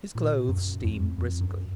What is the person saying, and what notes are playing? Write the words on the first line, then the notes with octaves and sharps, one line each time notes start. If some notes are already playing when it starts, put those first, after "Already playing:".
His clothes steamed briskly.
A#2
F#2
F2
F2
F#2